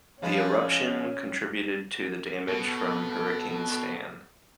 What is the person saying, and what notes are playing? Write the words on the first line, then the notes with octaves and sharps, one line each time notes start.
The eruption contributed to the damage from Hurricane Stan.
F3 G#3 B3 C#4
B2 A4